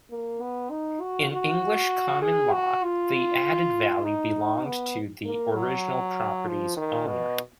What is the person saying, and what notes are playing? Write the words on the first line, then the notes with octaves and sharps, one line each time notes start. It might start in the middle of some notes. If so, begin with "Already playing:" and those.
In English common law, the added value belonged to the original property's owner.
A#3
B3
D#4
F#4
F#4
G#4
F#4
F4
D#4
B3
A#3
F#3
F3
D#3
B2